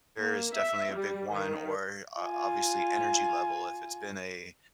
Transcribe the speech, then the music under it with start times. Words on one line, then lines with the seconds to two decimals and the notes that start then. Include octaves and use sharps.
There is definitely a big one, or o obviously energy level, if it's been a
0.20 A#3
0.56 E5
0.94 G3
1.36 D#3
2.22 F4 G#5